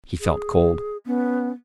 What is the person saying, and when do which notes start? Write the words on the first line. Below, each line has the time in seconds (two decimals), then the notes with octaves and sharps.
He felt cold.
0.20 G#4
1.06 B3 C#4